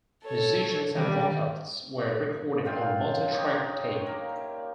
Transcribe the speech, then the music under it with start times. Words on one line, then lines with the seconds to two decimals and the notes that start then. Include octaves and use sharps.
Musicians and vocalists were recorded on multi-track tape.
0.23 A4 C#5
0.92 D#3 G3
2.65 F#2 F4 F5 G5
3.32 D#4 G4 C#5 D#5
4.06 A#3 A#4